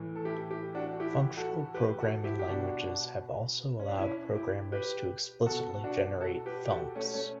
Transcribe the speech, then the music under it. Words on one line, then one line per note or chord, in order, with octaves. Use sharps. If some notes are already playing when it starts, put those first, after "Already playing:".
Functional programming languages have also allowed programmers to explicitly generate thunks.
Already playing: A2 E3
A4
E4 G4
E4 G4
D4 F#4
F#4
E4 G4
F#4 A4
G4 B4
F#4 A4
E4 G4
G4
B2 D4 F#4
C#4
D4
C#4 E4
E4 G4
G4 B4
B2 F#4 A4
D4 F#4
F#4 A4
G4 B4
G4
F#4 A4
A3 C#4
A3 C#4